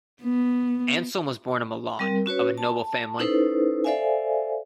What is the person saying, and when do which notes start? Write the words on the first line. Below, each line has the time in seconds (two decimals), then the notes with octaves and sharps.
Anselm was born in Milan of a noble family.
0.23 B3
1.99 G3 C4 A#4
2.26 C#4 F#4 B4 C#5
2.58 A5
3.19 C#4 D#4 E4 A4 B4 C5
3.84 A4 C5 D5 E5 F5 G#5